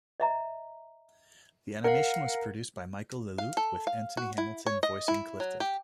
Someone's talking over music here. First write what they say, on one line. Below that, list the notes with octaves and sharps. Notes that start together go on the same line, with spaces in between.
The animation was produced by Michel Leloupe, with Anthony Hamilton voicing Clifton.
D#5 E5 A#5
A#4 F5 F#5
F5
A4
F5
F#4
E4
C#5
D#5
E4
F#3
G4